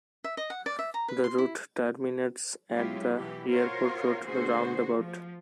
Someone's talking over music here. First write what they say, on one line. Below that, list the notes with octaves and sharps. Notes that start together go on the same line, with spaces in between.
The route terminates at the "Airport Road Roundabout".
E5
D#5
F#5
D5
E5
A#5
B4
C6
E4
F#3 G#3 C#4 E4 F4 G4
B2 E3 E4 G4
F4 F#4 A#4 C5 C#5
D3 A3 B3 F#4 G#4 C5
F3